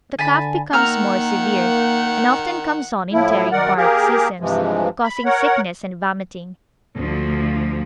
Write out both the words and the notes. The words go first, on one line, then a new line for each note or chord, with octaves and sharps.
The cough becomes more severe, and often comes on in tearing paroxysms, causing sickness and vomiting.
D3 G#5 A5 B5
D#3 A#3 F#5 A#5 E6 F6
A2 F3 E4
F#2 D#3 A#4 D5 F#5
A#3 G4 G#4 A#4
G2 C3 E3 F3 G#3
B5
A#4 C#5 F#5
D2 F3